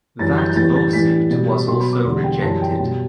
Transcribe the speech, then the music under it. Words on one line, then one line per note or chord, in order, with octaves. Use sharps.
That lawsuit was also rejected.
F#2 E3 G3 A6
G6
G6
A2 E3 G3 A6
A6
A2 E3 G3 B6
B2 G3
B2 F#3 C6
B5
D6
E2 D3 G3 C6
G5
F#2 E3 G3 A5
G5
B2 G3 G5